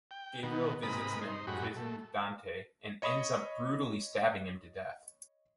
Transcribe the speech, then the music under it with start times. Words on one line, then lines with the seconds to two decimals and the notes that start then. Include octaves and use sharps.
Gabriel visits an imprisoned Dante and ends up brutally stabbing him to death.
0.11 G5
0.43 B2 D#3 B3
0.83 G#2 C3 A#4 B4 B5 D#6
1.21 D#4 C5
1.47 F#2 A2 G#3 F#4 G4 B5
1.77 A3
3.02 C#5 D#5 B5 C#6 D#6